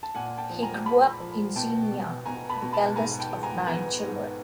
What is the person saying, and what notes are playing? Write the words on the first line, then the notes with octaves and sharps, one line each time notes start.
He grew up in Xenia, the eldest of nine children.
A5
A#2 F#5 G#5
G5 A5
F3
G#5 A#5
G#3 A5 B5
F3
B2 G5 A5
B2
B2 G#5 A#5
A5 B5
B2
A5 B5
G#2 G#5 A#5
G5 A5
G#2
G#5 A#5
B3 G#5 A#5
G#2